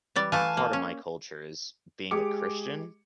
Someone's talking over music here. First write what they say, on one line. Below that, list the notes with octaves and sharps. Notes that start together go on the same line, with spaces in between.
part of my culture is being a Christian.
E3 G3 D5
E3 A3 F5 G#5 A5
A#3
C#4
G#3 G4 G#4 D6 C#7